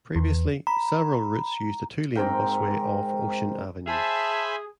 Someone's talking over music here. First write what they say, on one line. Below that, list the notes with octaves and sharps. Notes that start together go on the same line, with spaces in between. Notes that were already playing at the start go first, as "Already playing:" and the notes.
Previously, several routes used a two-lane busway off Ocean Avenue.
E2
A#5 B5
G#2 C4 A#4 G5
G#4 C5 E5 G#5 A5 B5